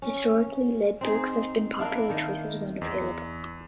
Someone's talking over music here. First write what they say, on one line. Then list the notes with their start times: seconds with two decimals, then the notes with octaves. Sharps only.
Historically, lead bricks have been popular choices when available.
0.02 C#4
1.01 C4 D#4 G#4
1.78 A#3 D4 E4 F5
2.10 D#3
2.81 E2